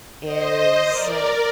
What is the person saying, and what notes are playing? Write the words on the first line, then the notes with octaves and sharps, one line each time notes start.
is uh,
C5 D#5
A#4 D5